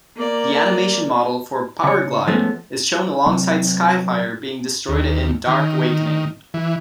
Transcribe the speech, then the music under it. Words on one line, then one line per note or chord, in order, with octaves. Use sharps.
The animation model for Powerglide is shown alongside Skyfire being destroyed in "Dark Awakening".
A#3 D5
C#3 C#5
F3 G#3 A3 B3 C#4
C3 F#3 C4
D#2
D#3
E3